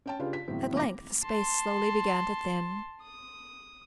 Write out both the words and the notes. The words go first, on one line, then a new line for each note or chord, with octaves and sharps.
At length the space slowly began to thin.
C#4 G5 A5
C#3 D4 F4 G4 B4
B6
G1 E2 A2 F#3 C4
G#1 E2 A#2 E4 D6 A#6
A5 C6
D#6